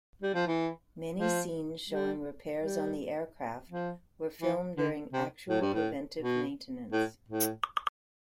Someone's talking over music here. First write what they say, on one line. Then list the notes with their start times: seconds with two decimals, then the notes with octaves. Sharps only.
Many scenes showing repairs on the aircraft were filmed during actual preventative maintenance.
0.22 G3
0.34 F3
0.47 E3
1.19 F3
1.90 G3
2.62 G3
3.69 F3
4.42 E3
4.77 D3
5.13 C3
5.49 A2
5.61 G2
5.74 A2
6.21 B2
6.92 A2
7.29 A2